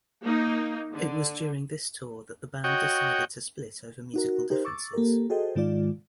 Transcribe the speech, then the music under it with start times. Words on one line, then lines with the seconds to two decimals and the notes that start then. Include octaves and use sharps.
It was during this tour that the band decided to split over musical differences.
0.22 A#3 D#4
0.92 D3
2.64 F#4 C#5 D#5 G5
4.14 D#4 F#4 A#4
4.50 D#4 G4 A#4 C5
4.65 C#6 D6 E6 A6
4.93 A#3 G4 A4 A#4
5.30 F#4 G#4 A4 C5 D#5 G5
5.55 G#2 D#3 G#3 F4 D5